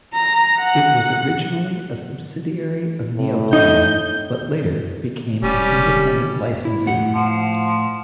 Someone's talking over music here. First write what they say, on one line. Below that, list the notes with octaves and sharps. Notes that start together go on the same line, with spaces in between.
It was originally a subsidiary of Neoplan, but later became an independent licensee.
A#5
F#5
A2
D#4 G6
E1 G3 C#4
E4
A2 F#5
F3